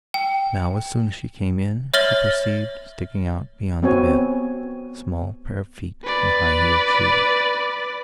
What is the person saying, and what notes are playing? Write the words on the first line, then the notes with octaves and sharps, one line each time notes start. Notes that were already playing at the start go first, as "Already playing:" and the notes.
Now, as soon as she came in, she perceived, sticking out beyond the bed, a small pair of feet in high-heeled shoes.
G5
C#5 E5 F6 A6 F#7 G7
B3 C4 F#4 C#5 G#5
B4 D5